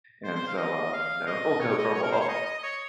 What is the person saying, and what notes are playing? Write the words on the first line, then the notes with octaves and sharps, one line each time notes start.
And so, uh, you know, we'll go for a walk.
C5
C5
F5
D#5
F5
D#5
C#5
D#5
C#5
A#4
C5
C#5
D#5
D#5
D#5
C#5